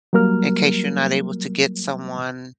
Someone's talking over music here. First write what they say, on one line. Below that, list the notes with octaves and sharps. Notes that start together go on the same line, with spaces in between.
in case you're not able to get someone
F#3 G3 A#3 A#4 F6